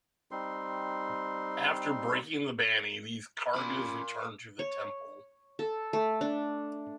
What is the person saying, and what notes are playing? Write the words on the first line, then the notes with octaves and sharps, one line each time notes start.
After breaking the Banni, these karagas return to the temples.
G3 C4 D#4 C6
A#2 C#4 F4 B5
C#5
A4
A3
D4